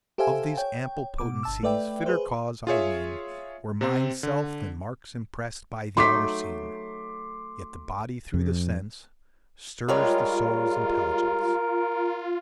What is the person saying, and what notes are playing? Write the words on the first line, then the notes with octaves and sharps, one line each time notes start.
Of these ample potencies Fitter cause, I ween, Were Mind's self than marks impressed By the outer scene. Yet the body through the sense Stirs the soul's intelligence.
G4 A4 C5 E5 F5 G#5
C#5 G5
B2 D6
G1 A5 E6
A3 B4 D5 E5 G5
G#4 B4 C5
F4 G#4 C#5 E5
C3 C4 C5
D3
F#3 A3 D#4 C6 D6 B6
F2
G3 G#3 F4 A#4 C#5